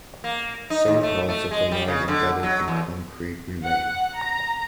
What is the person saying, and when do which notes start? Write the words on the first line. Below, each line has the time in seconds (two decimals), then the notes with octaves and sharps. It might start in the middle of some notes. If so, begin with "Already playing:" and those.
Some parts of the line embedded in concrete remain.
0.24 A#3
0.70 D#4
0.88 D#2
1.03 A3
1.29 A3
1.51 G#3
1.72 G3
1.88 C#3
2.08 D3
2.43 F#3
2.68 E2
3.63 F#5
4.14 A#5